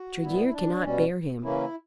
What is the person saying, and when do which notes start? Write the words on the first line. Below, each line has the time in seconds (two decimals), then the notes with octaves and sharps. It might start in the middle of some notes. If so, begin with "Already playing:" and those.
Tregear cannot bear him.
Already playing: F#4
0.23 A#2 G3 B3 E4
0.45 E4
0.53 D4
0.83 B2 G3 C#4
1.44 C#3 E3 A#3 C#4 E4